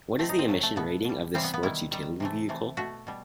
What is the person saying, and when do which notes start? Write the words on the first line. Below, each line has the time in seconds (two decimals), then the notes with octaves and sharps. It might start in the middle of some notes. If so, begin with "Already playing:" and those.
What is the emission rating of this sports utility vehicle?
0.19 D#3 A3 C4
0.29 D#4
0.39 C4
0.48 A2 F#3 A3
0.63 A3
0.76 B2 A3 B3
1.05 B2 G3
1.34 C3 E3 G3 C4
1.43 B3
1.54 B3
1.63 D#3 G3 E4
1.91 D#3 G3
2.20 C3 E3 A3
2.49 C3 E3 A3
2.77 B2 A3 F#4
3.07 B2 G3